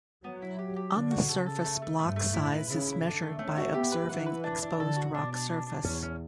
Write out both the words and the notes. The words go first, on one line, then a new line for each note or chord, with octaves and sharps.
On the surface block size is measured by observing exposed rock surface.
F#3 B3
E4
G4
G4
D3 D4
F#4
C#3 A4
A4
A3
A3
G2 A3
A3
A2 E4
B4
C#3 E4
E4
D3 D4
A3
A3 C#4
F#4
B3 G4
B4
E3 F#5
B4
D4
D4
D3 A4
F#4
B2 D4
D4
D4
D4
E2 C#4
C#4